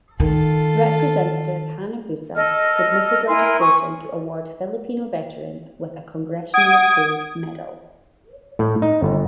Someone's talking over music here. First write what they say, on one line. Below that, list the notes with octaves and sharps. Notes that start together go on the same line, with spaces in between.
Representative Hanabusa submitted legislation to award Filipino Veterans with a Congressional Gold Medal.
D#3 F4 A4
A4 D#5 F6
E4 A#4 G#5 C6
G#5 C#6 D#6
F#5 D#6 G#6 D7
A2
D#4
G1